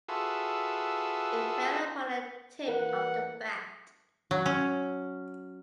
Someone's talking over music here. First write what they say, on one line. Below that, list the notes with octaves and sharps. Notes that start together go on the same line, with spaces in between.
It fell upon the tip of the bat.
F4 F#4 G#4 A4 B4 E5
E3 A#3 A#4 B4 F#5
F#3
C#4